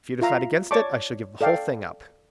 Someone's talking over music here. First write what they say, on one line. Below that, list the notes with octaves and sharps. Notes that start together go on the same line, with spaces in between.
If you decide against it, I shall give the whole thing up.
F4 E5 F5 A#5
C#5 D5 A5 C#6 D6
A4 D5 F5 G5